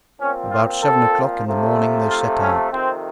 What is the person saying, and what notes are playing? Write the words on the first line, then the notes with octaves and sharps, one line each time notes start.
About seven o'clock in the morning they set out.
A#2 F3 C4 C#4
F4
A4
C3 F3 A3
F4
C#4
F2 C3 D#3 C4